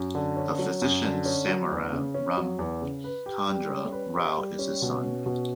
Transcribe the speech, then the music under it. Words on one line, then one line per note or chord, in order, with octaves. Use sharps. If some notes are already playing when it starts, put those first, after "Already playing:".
The physician Samaram Ramachandra Rao is his son.
Already playing: F#2
D3
C#4
F#3
F#2
D3
C#4
F#3
E2
C#3
C#4
F#3
E2
C#3
B4
G4
G3
C#4
B4
G4
G3
C#4
B2
C#4
B2